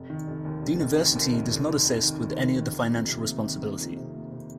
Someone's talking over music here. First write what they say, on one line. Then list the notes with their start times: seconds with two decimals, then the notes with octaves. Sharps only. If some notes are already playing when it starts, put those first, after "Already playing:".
The university does not assist with any of the financial responsibility.
Already playing: F1
0.10 D#3
0.27 F1
0.45 D#2
0.62 F1
0.80 F1
0.98 D#3
1.15 D#2
1.32 F1
1.50 F1
1.68 D#3
1.86 F1
2.03 D#3
2.21 D#3
2.38 D#2
2.56 D#3
2.74 D#3
2.91 F2
3.09 C3
3.26 A#3
3.44 D#3
3.62 A#3
3.80 F2
3.97 C3
4.15 A#3
4.32 C3